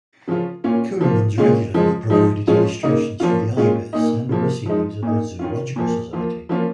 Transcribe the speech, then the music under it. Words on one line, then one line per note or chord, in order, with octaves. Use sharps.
Keulemans regularly provided illustrations for "The Ibis" and "The Proceedings of the Zoological Society".
C#3 F3 C#4 F4
A#2 A#3 C#4 F4
F3 A#3 F4
A#2 G#3 C#4 F4
C#3 F3 G#3
F3 G#3 D#4
F3 G#3 C#4 F4
C#3 A#3 D#4
F3 A#3 C#4 F4
A#2 G#3 C#4 F4
A#2 A#3 D#4
C#3 F3 A#3
F3 G#3 D#4
A#2 A#3 D#4
D#3 C#4 F4
A#2 F3 A#3
F3 A#3 F4
F3 A#3 C#4 F4